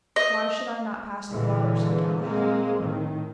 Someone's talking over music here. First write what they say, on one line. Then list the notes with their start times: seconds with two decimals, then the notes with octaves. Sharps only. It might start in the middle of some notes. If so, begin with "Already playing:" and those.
Why should I not pass the water? said Galahad.
0.16 D#5
1.31 A#2 D3 E3 G#3
2.21 G#3 A#3 C4
2.81 A2 D#3